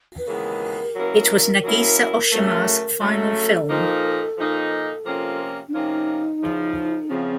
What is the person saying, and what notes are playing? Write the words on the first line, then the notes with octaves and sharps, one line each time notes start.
It was Nagisa Oshima's final film.
B4
D#2 C#3 E3 G#3 B3 A#4
B2 F#3 A#3 C#4 E4
B2 F#3 A#3 C#4 E4
C#3 F#3 A3
C#3 F#3 A3 A4
A#2 F3 A#3 D#4
A#2 F3 A#3 D#4
C3 F3 A#3 C#4 F4
D4
C3 F3 A#3 C#4 D#4 F4
E2 C#3 F3
E2 C#3 F3 C4